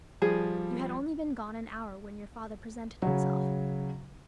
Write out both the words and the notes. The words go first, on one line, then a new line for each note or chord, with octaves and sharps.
You had only been gone an hour when your father presented himself.
F3 G3 G#4
C#3 F#3